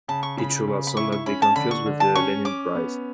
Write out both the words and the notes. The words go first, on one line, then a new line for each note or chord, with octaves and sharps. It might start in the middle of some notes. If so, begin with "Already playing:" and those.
It should also not be confused with the Lenin Prize.
C#3 A5
C#6
C#3 B5
C#3
B5
E4 C#6
C#6
C#4 B5
A5
D3 B5
C#6
D3
A5
C#4 C#6
C#4 D6
B3